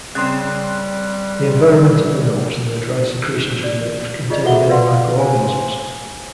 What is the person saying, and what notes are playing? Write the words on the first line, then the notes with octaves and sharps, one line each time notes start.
The environment of the nose and the dried secretions removed contain many microorganisms.
C#3 G3 C4 C6 F#6
D5
F4 G#4 D5 D#5
F4 F#4 A4 E5 F#5 G7
B4 D5 F5 F#5 C6
C5 G#5